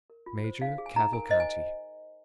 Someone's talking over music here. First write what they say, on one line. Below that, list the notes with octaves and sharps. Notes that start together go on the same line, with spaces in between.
"Major Cavalcanti."
A#4
F4
C5
D#4 F5
G#4
G#5
D#4 A#5
A#4 G#5
C5 D#5
G#5